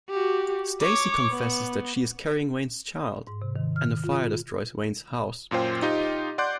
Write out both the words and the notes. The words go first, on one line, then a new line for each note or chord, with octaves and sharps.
Stacy confesses that she is carrying Wayne's child, and a fire destroys Wayne's house.
F#4 G4
C#5 D6
B3
G#2
C3
D#3
F6
F4
F#2 A#2 F4 C5 G5
D#4 F4 G4 D#5
D5 F#5 C6 D6 F#6 G6